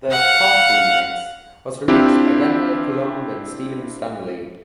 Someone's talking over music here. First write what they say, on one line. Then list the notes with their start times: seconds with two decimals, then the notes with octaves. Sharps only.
The 'Party Remix' was remixed by Daniel Coulombe and Steven Stanley.
0.11 F5 F#5
1.88 C4 D4 E4 F4 G4